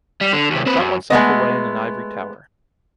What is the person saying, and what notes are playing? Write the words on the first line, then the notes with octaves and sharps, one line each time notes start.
Shut oneself away in an ivory tower.
G3
D3
D#2 C3
C4 B4
F#2
G#3 A3 B3 D#5